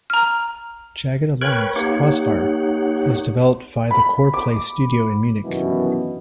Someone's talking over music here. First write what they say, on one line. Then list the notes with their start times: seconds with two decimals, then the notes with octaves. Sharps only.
"Jagged Alliance: Crossfire" was developed by the Coreplay Studio in Munich.
0.10 A#5 F6
1.42 A#4 B4 C#5 G5 B5 C#6
1.76 A#3 D#4 G4 C#5 F#5
3.91 B5
4.33 D6
5.44 G1 F#2 B2 D#3 E3